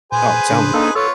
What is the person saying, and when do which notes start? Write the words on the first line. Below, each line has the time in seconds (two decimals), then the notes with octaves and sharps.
Oh, tell me.
0.12 A#2 G#4 B4 C5 G#5
0.51 A2 C#3 D4
0.74 A#3 D4 D#4 A4
0.95 B3 F4 A4 C#5